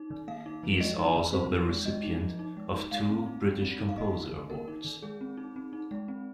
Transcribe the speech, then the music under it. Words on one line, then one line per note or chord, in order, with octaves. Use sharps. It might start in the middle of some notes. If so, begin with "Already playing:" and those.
He is also the recipient of two British Composer Awards.
Already playing: D#4
D#3
A#3 F5
D#4
F3
G#3 D#5
D#4
D#3
C4 C5
D#4
G#3
G#3 D#5
D#4
F3
D#4
G#3
D#4
G#3 F5
C4
D#4
G#3
C4
D#4
F5
A#3 D#5
D#4
D#3
A#3 A#4
D#4
D#3
G#3 G#4
C4
D#4
C4
D#4
G#3
C4